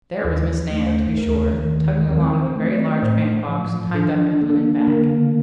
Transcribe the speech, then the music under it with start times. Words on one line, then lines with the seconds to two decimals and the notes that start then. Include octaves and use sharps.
There was Miss Nan, to be sure, tugging along a very large band-box tied up in linen bag.
0.24 D#2 A4
0.71 A3
0.86 C5
1.17 D#2 A#4
1.63 D#3
2.09 C4 A#4
2.40 C5
2.56 A3
2.71 D5
3.02 A2 C5
3.48 F3
3.94 D4 A4
4.41 A#3 A4
4.87 D3 A#4